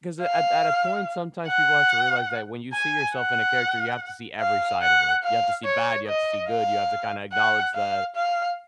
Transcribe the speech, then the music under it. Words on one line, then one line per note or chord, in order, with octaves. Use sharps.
'cause at at a point, sometimes people have to realize that when you see yourself in a character, you have to see every side of it. You have to see bad; you have to see good; you have to kinda acknowledge that
F5
F#5
G#5
F#5
F5
F#5
F5
C#5
D#5
F5
F#5
F5
F5